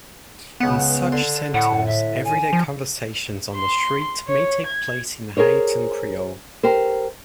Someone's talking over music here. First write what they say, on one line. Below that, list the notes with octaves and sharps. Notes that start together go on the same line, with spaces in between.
In such centers, everyday conversations on the street may take place in Haitian Creole.
C#2 B3 F#5
D3 C6
A2 F#5
E5
G#5
F3
C6
C#5
G#6
G#4 A#4 C5 C#5
G4 A#4 C5